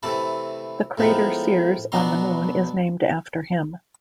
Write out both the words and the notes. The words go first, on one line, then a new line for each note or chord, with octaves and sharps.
The crater Seares on the Moon is named after him.
C3 E3 A3 A5 B5
A2 F3 G#3 B3 D#4
B2 F#3 B3 D4 A#5 C6